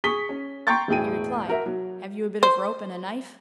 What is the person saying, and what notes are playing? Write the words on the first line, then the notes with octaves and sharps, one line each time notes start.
He replied, "Have you a bit of rope and a knife?"
G#4 C#6 D#6 B6 G7
C#4
G5 A#5 C6 C#6 G6 A6
E1 A2 G#4 G5 D#7
F#4 A#4 E5
F#3
C5